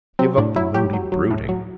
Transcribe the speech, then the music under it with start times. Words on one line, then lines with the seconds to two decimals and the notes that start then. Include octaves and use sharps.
Give up the moody brooding.
0.19 F#3 C4
0.38 A2 D4
0.56 F#3 E4
0.74 F#3 G4
0.93 F#3
1.12 F#3
1.30 A2
1.49 F#3